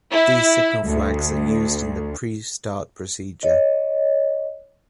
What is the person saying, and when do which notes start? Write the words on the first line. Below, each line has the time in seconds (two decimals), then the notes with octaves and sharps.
These signal flags are used in the pre-start procedure.
0.12 E4
0.85 D2
3.43 C#5 D#5